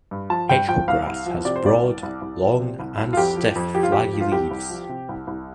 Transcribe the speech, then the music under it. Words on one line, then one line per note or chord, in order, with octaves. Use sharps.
Hedgehog-grass has broad, long and stiff flaggy leaves.
G2
F3 A5
G2 G5
F3 G5
C2 F5
C2
F3
C3 D5
C5
C2 D5
C2
C2
C2
F3
C3
C2
C2
F4
F2 G4
F3
F2
F3 G4
F4
F2 G4
F3
F4
C2 G4
C2
F3
C3
C2
C2